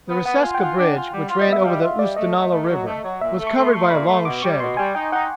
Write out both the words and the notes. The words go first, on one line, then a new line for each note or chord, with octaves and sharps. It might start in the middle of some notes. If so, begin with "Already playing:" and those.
The Reseca bridge which ran over the Oostenaula River was covered by a long shed.
B3
B3 F#5
F4 G#5
G5
F4 F#5
D4
F4
G3
F4
D#5
B3
E5
G3 F5
F4 E5
G3 D5
A3 D#5
A3
A3
F#3
A3
F#3
A#2 E5
A3
C#6
A3 C6
C6
A3 C#6
C6
A#2 B5
A3 C6
B2 D6
G3 C#6
B2 C6
G3 G#5
D#4 G5
D#4 F#5